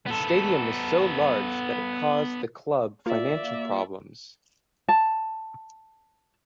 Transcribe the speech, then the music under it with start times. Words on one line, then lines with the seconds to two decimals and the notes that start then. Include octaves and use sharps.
The stadium was so large that it caused the club financial problems.
0.06 B3 A4
3.06 A#3 F4 D5 E5
4.88 A5